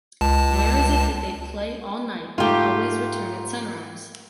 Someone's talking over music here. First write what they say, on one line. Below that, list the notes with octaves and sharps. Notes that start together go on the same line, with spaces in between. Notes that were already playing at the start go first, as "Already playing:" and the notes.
Where is it that they play all night and always return at sunrise?
C#2 A5
G#2 A3 F4 G4